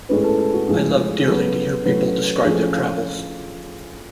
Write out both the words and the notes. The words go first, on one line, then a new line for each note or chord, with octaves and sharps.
I love dearly to hear people describe their travels.
A2 G#3 C#4 B4
A4
A4
F#4
A2 F3 G#3 G#4
G#4
C#3 F#3 B3 A4
A2 F#3 A3 C#4 B4
A2 F3 A3 C#4 G#4
F4